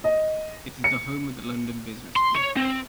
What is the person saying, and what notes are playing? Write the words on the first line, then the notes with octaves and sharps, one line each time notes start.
It is the home of the London Business School.
D#5
C#7
C6
C#5
C4